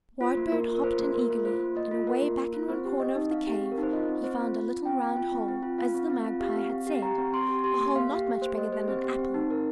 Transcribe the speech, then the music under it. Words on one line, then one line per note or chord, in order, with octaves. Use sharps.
Whitebird hopped in eagerly, and away back in one corner of the cave he found a little round hole, as the Magpie had said; a hole not much bigger than an apple.
F4 C5
A#3
A#3 A#4
F4
A#4
F4 C5
A#3
A#3 A#4
F4
F4 C5
A#3
A#3 D#5
F4
F4 A#4
A#3
A#3
F4
C4 C5
G4
C4 D#5
D#4
C4 F5
G4
C4
A#4
D#4
C5
F4 D#5
C4
C4 C5
F4
F4
C4
C4 G5
F4
F4
C4
C4
F4
F4 F5
C4
C4
F4
G4 F5
C4
C4
G4
G4 A#5
C4
C4 C6
G4
G4 C6
A#3
A#3 F5
G4
G4
A#3 C5
A#3 D#5
G4 C5
C4 C5
G4
C4
D#4
C4 A#4